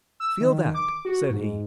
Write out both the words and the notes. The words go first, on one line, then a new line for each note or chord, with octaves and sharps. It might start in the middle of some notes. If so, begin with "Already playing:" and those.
"Feel that!" said he.
E6
D#3
D6
F#4
G#2